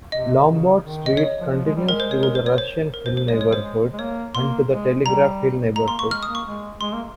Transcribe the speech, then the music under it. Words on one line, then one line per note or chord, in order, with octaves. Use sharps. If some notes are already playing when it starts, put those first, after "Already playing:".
Lombard Street continues through the Russian Hill neighborhood and to the Telegraph Hill neighborhood.
C3 D#5
C#3
D#3
D#5
C#3 C#5
F3
F3
G#3
G3
G#3 A#4
C5
C#5
A#4
C5
C#5
C5
A#4
C5
C5
G#3 C#5
C#5
C5
G#3
A#3 C#5
A#3 C6
G#3
G3 A#5
G#3 A#5
A#3 C6
A#3 C#6
G#3 F6
D#6
A#3
C#6
G#3
G#3 C6
A#3